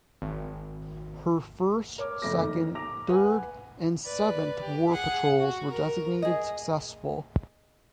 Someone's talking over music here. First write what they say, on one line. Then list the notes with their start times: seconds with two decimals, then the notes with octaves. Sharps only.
Her first, second, third, and seventh war patrols were designated successful.
0.22 G#1
1.98 A#4 C#5 D6 F6
2.22 F#1 F2 A3 D6 A#6
2.43 D#3
2.75 A#5 D6 A#6 F7
3.08 B4 F#5 G#5
4.04 B4 D5
4.62 G4
4.93 G#4 F#5
5.39 F#4
5.71 A#4
6.22 G#4 D#5